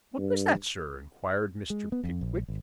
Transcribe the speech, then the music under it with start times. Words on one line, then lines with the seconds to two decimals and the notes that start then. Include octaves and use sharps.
'What was that, sir?' inquired Mr. Pickwick.
0.18 G2
1.70 G#3
1.92 B3
2.04 F2
2.21 A#1
2.48 G#1